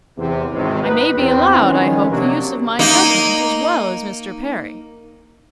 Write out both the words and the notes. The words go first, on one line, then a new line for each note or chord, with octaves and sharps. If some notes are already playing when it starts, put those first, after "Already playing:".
I may be allowed, I hope, the use of my judgment as well as Mr. Perry.
E2 C3
G#1 C#2 C3 D#3
B3 D#4 B4
E2 C4
D#3 F3 G#3 B3 C#4
C3 F#3 A#3 D4
A#3 D#4